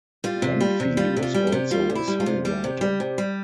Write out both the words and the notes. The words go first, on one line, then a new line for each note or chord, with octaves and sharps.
Dunphy was also a songwriter.
G3 F4
C3
G3
C3
G3 F4
C3
F4
G3
G4
C3
G3 F4
C3
E4
G3
F4
C3
G3 G4
C3
G3
C3
G3